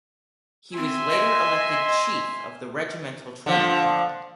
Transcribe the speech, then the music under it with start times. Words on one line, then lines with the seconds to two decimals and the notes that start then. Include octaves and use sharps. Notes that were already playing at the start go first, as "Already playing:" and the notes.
He was later elected chief of the regimental training command.
0.77 C4 E5 G#5 C6
1.11 D#5
3.46 D3 F3